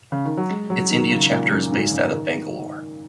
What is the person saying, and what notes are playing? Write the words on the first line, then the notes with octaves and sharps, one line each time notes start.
Its India chapter is based out of Bangalore.
C#3
D#3
F#3
G#3
F#3
D#3
C#3
A#2
F#2
G#2
C#3
D#3